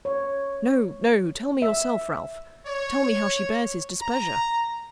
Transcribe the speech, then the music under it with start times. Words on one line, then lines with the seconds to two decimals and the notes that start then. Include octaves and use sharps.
"No! no! tell me yourself, Ralph--tell me how she bears his displeasure!"
0.05 C#5
1.62 E5
2.67 C#5
4.01 A#5